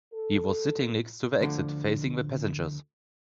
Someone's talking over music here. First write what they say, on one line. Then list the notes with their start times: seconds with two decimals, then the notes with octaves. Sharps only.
He was sitting next to the exit, facing the passengers.
0.13 A4
1.41 D2 D3 F3